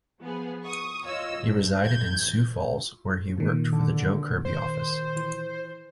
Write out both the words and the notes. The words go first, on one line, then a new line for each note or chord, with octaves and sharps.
He resided in Sioux Falls, where he worked for the Joe Kirby office.
F3 B3 G#4
C#6 D#6
F4 C#5 D#5 E6
A#1 G2
A1 E2 E3 G6 G#6
A#2 D#3
D3
C5
E3